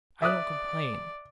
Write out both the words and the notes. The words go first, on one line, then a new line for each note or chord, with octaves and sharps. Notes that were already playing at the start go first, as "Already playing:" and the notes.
I don't complain.
D5 E5 D#6 F#6